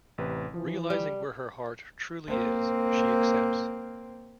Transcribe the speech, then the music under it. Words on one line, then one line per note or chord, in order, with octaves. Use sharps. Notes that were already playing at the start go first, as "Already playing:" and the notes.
Realizing where her heart truly is, she accepts.
A1 C3 B4
E3 F3
G3
A#3 C4